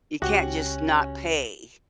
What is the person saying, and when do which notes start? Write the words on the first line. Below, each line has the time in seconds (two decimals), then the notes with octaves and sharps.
You can't just not pay,
0.22 C#2 C#4 F#4 G4